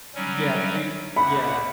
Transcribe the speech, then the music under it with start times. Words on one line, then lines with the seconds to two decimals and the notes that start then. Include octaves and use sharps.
N yeah. Pre yeah.
0.15 F#3 G3 C#4
1.16 D2 F#5 B5